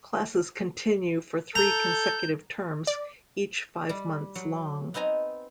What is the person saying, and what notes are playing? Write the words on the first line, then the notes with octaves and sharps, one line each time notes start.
Classes continue for three consecutive terms, each five months long.
A4 A#5 G6
D5
G3
F#3
B3 C4 D#4 G#5 A#5